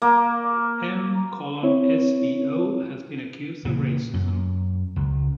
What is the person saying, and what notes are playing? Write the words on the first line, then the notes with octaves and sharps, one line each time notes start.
M:svo has been accused of racism.
A#3
C4 E4 C#5
A#2 C#3 E3
F#2
C#2